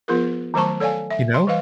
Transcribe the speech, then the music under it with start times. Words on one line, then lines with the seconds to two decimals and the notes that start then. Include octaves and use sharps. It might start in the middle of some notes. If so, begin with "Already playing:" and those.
You know?
0.08 F3 B3 F4 G#4 A#4
0.54 D#3 F#3 A3 C5 A5 C#6
0.80 A4 C#5 D5 F5 G#5
1.10 E5
1.34 C6
1.47 E3 G3 B4 F5